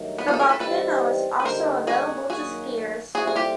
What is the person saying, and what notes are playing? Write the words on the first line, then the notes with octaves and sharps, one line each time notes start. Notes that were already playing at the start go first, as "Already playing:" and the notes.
The volcano is also available to skiers.
Already playing: G2 D#3 F#3 A3
B3
D#4 F4
A4
G#4 A#4
A4 B4
E3 G3 C4 D#4 G4 A4 B4
B4
D3 G3 A#3 D#4 G4 A#4 C5
F#4 G#4
D#3 F#3 A#3 F#4 G#4
A#2 G3 C4 E4 F#4 G#4 A4
G#4
F4 G4